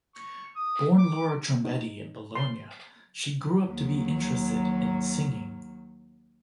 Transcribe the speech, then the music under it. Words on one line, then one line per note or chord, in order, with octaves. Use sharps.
Born Laura Trombetti in Bologna, she grew up to be interested in singing.
C#6
D#6
D6
D#4
C6
D#2 F#3